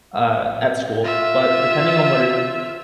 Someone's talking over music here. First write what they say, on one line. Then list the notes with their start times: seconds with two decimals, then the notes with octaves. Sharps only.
uh, at school. But depending on what it
1.03 F4 E5